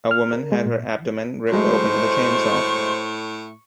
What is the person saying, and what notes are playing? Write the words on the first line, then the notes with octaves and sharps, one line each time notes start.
A woman had her abdomen ripped open with a chainsaw.
F6
A#4
G#3
A#2
A2 F#3 G#3 A3 C5 C#6